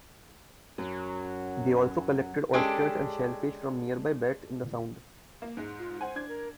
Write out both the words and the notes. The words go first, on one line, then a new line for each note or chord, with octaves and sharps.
They also collected oysters and shellfish from nearby beds in the Sound.
F#2 F#3
G#3 C#4 D4 G4 A4
A#3
G#2 G#3
F4
C5 F#5 G#5
D4 G#6
A#4